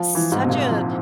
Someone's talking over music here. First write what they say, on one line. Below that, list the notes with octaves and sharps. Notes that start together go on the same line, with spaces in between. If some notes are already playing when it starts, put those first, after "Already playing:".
such a
Already playing: F3
E3
G#2
C3
A#2
F3